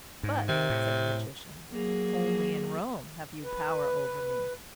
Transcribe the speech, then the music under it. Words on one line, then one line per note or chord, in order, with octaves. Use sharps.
"But," said the magician, "only in Rome have you power over me."
G#2
C3 D#3
A2
F#3 A#3 G#4
B4